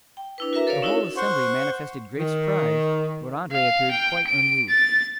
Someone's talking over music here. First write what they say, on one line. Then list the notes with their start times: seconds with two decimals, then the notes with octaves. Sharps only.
The whole assembly manifested great surprise, but Andrea appeared quite unmoved.
0.17 G5
0.38 D4 E4 B4
0.53 F#4 A#4 B4 E5 A#5
0.67 A4 A#4 C#5 D5 F5
0.82 C#4 D#4 E4 F#4 A#4 C#5
1.17 C5 F#5 C6 C#6
2.18 D#3
3.51 F5
3.91 G5
4.28 D7
4.69 A6